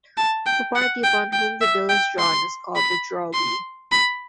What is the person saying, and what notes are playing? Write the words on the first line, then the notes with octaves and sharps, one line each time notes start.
The party upon whom the bill is drawn is called the drawee.
A5
G5
F#5
G5
G5
E5
G5
C6
B5
C6
B5